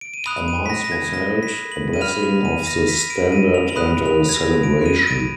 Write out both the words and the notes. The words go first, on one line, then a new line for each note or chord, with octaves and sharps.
A mass was held, a blessing of the standard and a celebration.
D7
D#7
B5 D#6 F#6 F7
D#7
B6
A#6
A#6
G#6
A#6
B6
F#7
D#7
B5 F6 F7
F7
D#7
A#6
B6
D7
D#7
F7
F#7
B5 D#6 F#6 F7
F7
G#6
A#6
D7
D#7
D7